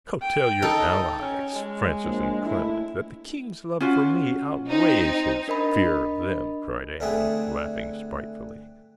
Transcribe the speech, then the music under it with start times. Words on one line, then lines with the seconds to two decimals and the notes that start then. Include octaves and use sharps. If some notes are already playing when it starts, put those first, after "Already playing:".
"Go, tell your allies, Francis and Clement, that the king's love for me outweighs his fear of them," cried Anne, laughing spitefully.
0.21 G5
0.62 D#4 A4
1.21 C#4
1.54 G#3
2.04 A#1
2.45 A2 E4
3.80 C#4 F4 F#4
4.69 C4 D#4
5.48 D4 A#4 D#5 B5
7.00 D3 E3 A3 C4 G#4